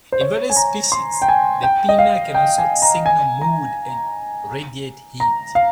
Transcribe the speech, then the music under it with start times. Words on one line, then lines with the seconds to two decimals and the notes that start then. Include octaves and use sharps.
In various species, the pinna can also signal mood and radiate heat.
0.12 C5
0.21 C#5
0.50 G#5
0.56 A#5
0.92 C6
1.22 G5
1.29 G#5
1.63 G5
1.89 D#5
1.99 F5
2.34 G5
2.58 G#5
2.82 A#5
3.06 G#5
3.41 A#5
5.20 A#5
5.55 F5